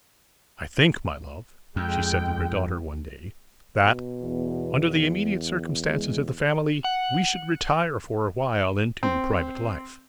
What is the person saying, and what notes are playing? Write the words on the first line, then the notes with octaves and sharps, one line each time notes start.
"I think, my love," she said to her daughter one day, "that, under the immediate circumstances of the family, we should retire for a while into private life."
F2 G#3 G5
B2
E2
G#3
F#5
C4